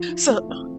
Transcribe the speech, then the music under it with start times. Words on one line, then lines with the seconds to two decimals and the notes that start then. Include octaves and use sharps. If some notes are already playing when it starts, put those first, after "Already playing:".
So, oh
Already playing: F3
0.08 E4
0.29 A3
0.49 C4